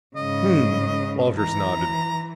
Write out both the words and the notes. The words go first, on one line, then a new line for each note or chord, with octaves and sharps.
"Hmm," Walters nodded.
G#2 C#3 D#5
E3 A#5